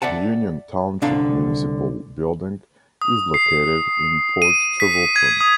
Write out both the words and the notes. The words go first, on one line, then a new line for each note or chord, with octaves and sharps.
The Union Township Municipal Building is located in Port Trevorton.
D5 E5 F#5 A5
C2 D3 D4 F5
D#6
C7
D#7
B6
G#6
D#6